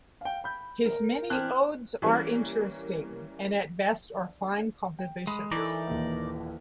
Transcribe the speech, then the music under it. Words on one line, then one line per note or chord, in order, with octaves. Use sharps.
His many odes are interesting, and at best are fine compositions.
F5 G5
B5 G6
A#4
E3 C4 D4 F6 F#6
E3 G3 A#3 C#4
G5
G#3 B5 D#6
E3 D#4 A4 A#4 D5 C#6
D#1 D#2